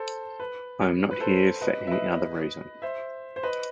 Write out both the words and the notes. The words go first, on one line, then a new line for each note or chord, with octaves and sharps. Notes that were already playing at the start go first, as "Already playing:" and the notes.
I am not here for any other reason.
Already playing: A4 C5
B4
B4
A4 C5
B4 D#5
E5
B4 D#5
C5 E5
C5
B4 D#5